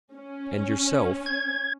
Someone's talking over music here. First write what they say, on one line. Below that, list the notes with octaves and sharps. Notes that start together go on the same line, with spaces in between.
"And yourself?"
C#4
G#6